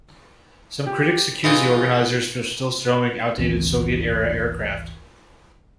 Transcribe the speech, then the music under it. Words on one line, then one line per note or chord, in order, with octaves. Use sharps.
Some critics accused the organizers for still showing outdated Soviet-era aircraft.
G4
E3 G#3 D#4 F4
G#1 D2 E3 C4